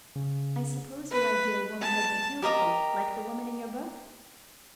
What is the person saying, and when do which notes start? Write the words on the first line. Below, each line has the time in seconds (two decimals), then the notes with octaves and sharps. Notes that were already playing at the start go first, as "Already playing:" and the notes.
"I suppose your ideal woman would be beautiful, like the woman in your book?"
0.16 C#3
1.11 B4
1.82 A5
2.42 G4 A#4 D#5 A#5